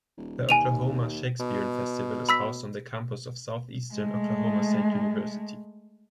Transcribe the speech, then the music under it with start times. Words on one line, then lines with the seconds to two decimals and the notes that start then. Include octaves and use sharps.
The Oklahoma Shakespearean Festival is housed on the campus of Southeastern Oklahoma State University.
0.17 D#1
0.49 D#2 G#5 D#7 F7
1.40 B2
2.29 B5 E6 B6
3.94 G#3 A3